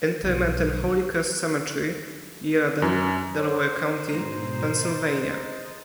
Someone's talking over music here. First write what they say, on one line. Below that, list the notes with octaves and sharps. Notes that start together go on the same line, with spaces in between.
Interment in Holy Cross Cemetery, Yeadon, Delaware County, Pennsylvania.
B1 D3
F#2
C5 C#5
G#2 B2 G#3 A#5
D#5 A6